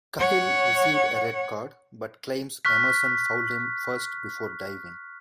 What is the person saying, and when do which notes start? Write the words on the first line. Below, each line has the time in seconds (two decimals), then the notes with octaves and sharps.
Cahill received a red card, but claims Emerson fouled him first before diving.
0.20 C#5 F#5
2.65 C#6 F6 F#6 B6